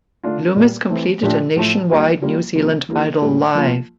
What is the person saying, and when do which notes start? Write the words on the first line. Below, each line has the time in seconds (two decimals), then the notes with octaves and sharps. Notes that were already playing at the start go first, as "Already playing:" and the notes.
Lummis completed a nationwide New Zealand Idol Live!
0.24 D3 A3 D4 F4
0.56 A#2 G3 A#3
0.89 E3 A3 C4
1.22 A#2 F3 A3 D4 G4
1.56 A2 F3 A3
1.90 G3 A#3 F4
2.22 G3 A#3 F4
2.55 C3 F3 A#3
2.89 E3 A#3 E4 G4
3.21 A2 G3 A#3
3.55 F3 A#3 F4